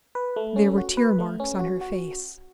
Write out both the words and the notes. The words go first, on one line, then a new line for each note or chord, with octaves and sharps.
There were tear-marks on her face.
B4
A3
C#4
F#4
B4
A3
C#4
F#4
F#4